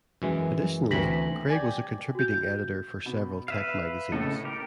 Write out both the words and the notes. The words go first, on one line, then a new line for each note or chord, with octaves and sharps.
Additionally, Craig was a contributing editor for several tech magazines.
F#2 E3 G#3
D2 E3 C4 A#6 B6 F#7
G4 D5 G#5
F#4 G6
B2
B4 E5 F5
A2 C#3 A4 D#5
G4 A#4